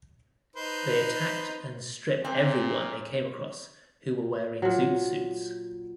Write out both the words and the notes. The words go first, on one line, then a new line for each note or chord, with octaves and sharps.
They attacked and stripped everyone they came across who were wearing zoot suits.
D#4 B4 C5
A#2 C4
A#2 F#3